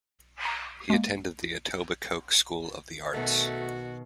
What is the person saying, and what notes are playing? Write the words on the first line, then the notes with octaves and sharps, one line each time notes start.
He attended the Etobicoke School of the Arts.
A#5
G#3 A#3
B2 D#3 A3 F#4